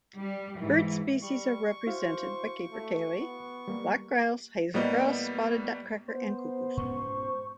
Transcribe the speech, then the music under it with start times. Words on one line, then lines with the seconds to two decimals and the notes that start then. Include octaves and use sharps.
Bird species are represented by capercaillie, black grouse, hazel grouse, spotted nutcracker, and cuckoos.
0.18 G3
0.60 G#2 E3
1.22 G3 C#6
1.87 E4 F#4 C5 F5
2.72 A3
3.17 B3
3.68 G3 A#3
4.74 A2 G3 A#3 B3 D#5
6.08 B3 C5
6.77 G#2 B2 C#4 C#6